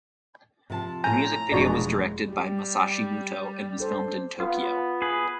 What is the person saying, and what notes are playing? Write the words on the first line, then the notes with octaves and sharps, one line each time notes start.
The music video was directed by Masashi Muto and was filmed in Tokyo.
C3 F3 A5
A2 G#5 A#5 G6
F1 B2 E3 G#3 D4 F4 F#4 D5
G3 G4
D4 A4 C5
B3 F4
G#4 B4